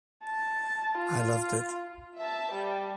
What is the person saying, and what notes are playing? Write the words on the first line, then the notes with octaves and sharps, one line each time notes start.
I loved it.
A5
F4
E5 A5
G3